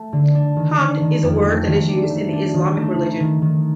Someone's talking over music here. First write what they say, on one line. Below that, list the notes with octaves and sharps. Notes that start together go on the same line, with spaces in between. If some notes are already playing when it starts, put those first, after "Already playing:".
Hamd is a word that is used in the Islamic religion.
Already playing: A3
D3
D4
D#3
D4
D#3
F2
A3
D#3
D4
A3
D4
D#3
A3
D#3
D#3
D#3